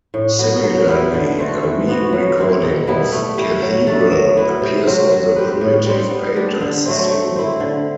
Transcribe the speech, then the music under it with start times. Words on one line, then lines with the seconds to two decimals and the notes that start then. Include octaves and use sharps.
Similarly, a re-recording of "Cathedral" appears on the "Primitive Painters" single.
0.14 A2
0.39 F#3 B3
0.63 F#3
0.88 B3 E4 G4
1.14 D3
1.38 A3 C4 F#4
1.63 E3
1.88 B3 F#4
2.13 F#3
2.38 C4 E4
2.63 B2
2.87 G3 B3 E4
3.12 A3
3.37 E4 G4
3.62 F#3
3.87 A3 D4 A4
4.12 F#3
4.37 B3 E4 B4
4.62 C3
4.87 F#3 C4
5.11 F#3
5.36 C4 G4 B4
5.61 A2
5.86 G3 C4
6.10 B3
6.36 D4 G4
6.61 D3
6.85 F#3 A3 C4
7.10 A3
7.36 C4 E4
7.60 D3